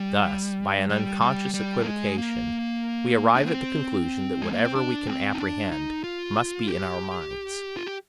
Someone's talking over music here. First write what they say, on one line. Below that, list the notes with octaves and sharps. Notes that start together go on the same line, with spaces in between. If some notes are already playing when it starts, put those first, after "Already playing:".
Thus, by an unconscious equivocation, we arrive at the conclusion that whatever we can apprehend must be in our minds.
Already playing: G3
G3
G3
G3
A#3
G#3
A#3
D4
C4
G#3
A#3
C4
D4
C4
D#4
D4
D#4
F4
G4
F4
G4